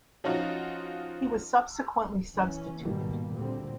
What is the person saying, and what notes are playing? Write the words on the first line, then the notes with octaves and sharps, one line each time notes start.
He was subsequently substituted.
F3 C#4 D#4 F4 F#4
E3 C#4
G#2 B2 D#3 G3 A#3
D2 A#2 D3 G3 C4